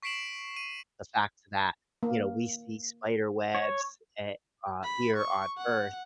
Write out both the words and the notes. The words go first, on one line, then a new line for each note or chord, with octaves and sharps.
the fact that, you know, we see spiderwebs, eh uh, here on Earth,
C#6 B6 C7 D7 E7 F#7
D#7
A#3
C#5
B5
C#6
F#5